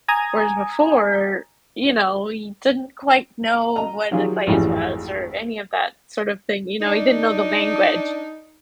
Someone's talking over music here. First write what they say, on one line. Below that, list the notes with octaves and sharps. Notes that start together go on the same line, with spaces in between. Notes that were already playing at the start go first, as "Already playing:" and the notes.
Whereas before, you know, he didn't quite know what the glaze was or any of that sort of thing, you know, he didn't know the language.
G#5 A#5 D#6 G#6
D#5 A#5
D#3 F#3 D#4 F4 G4 G#4
G#1 F2 A2 E3 G3 G#3
D4 D#4